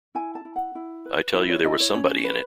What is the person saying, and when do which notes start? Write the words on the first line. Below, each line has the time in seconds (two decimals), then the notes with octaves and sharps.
I tell you there was somebody in it.
0.15 E4 G#5
0.35 A5
0.45 E4
0.56 F#5
0.75 E4
1.05 B4
1.34 E4 E5
1.49 C#5
1.64 E4 D#5
1.80 C#5
1.94 C#4 C#5
2.24 B4